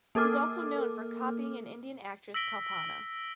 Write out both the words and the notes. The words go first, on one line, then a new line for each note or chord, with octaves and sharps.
He was also known for copying an Indian actress Kalpana.
A#3 A4 A#4 D6 F6
E6 A#6 B6 D7 G7